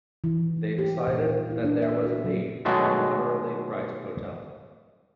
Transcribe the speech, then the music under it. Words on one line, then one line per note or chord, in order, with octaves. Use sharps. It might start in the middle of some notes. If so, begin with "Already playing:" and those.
They decided that there was a need for moderately priced hotels.
E3
G4
A#2
F4
E4
D4
E5
F#4
F#3
B2 D#3 F#3 G#3 A3 E5